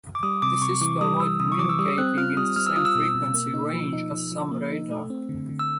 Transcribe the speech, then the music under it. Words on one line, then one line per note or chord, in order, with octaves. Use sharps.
This is to avoid communicating in the same frequency range as some radar.
D6
G3 D#6
C3 D6
C3 C#6
E3 D6
G3 D#6
E3 E6
C3 D#6
C#6
E3 D6
E6
G3 D#6
C4 F#6
F4 F6
G3 D#6
G3 F6
E6
F4 D#6
E6
B2
B2
A#3
D#4
F3
D#4
F3
F3
A#3
D#4
A3
C4
D3
D3
E6